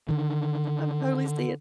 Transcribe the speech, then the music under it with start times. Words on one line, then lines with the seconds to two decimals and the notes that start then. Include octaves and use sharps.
I'm totally seeing it.
0.09 D3 D#3